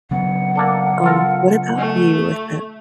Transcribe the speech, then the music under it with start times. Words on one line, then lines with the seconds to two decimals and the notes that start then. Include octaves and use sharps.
Um, what about you with it?
0.11 C#3 F#3 B3 F#5
0.56 A#3 D4 A4
1.04 F4 A4 A#4
1.78 A3